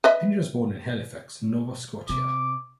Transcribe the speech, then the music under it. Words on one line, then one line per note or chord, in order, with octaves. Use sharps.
Henry was born in Halifax, Nova Scotia.
B4 D#5 E5
C3 D6